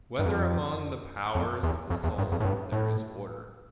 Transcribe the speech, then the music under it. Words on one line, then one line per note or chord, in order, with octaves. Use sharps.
Whether Among the Powers of the Soul There Is Order?
G2
F2
F2
E2
F2
E2
G2
F2
A2
G2
A2